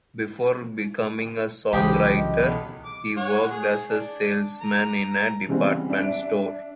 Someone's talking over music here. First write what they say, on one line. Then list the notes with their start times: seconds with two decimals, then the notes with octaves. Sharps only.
Before becoming a songwriter, he worked as a salesman in a department store.
1.73 C2 A2 C#3 E3 F#3 G4 C5 D#6
2.17 D#5
2.39 B1 E2 B3
2.85 D6
3.17 C#5 F#5
3.50 G#4
3.90 D4
4.61 A#5
5.48 C#3 E3 G3 G#3 B3 C4
5.90 D4 E5 D7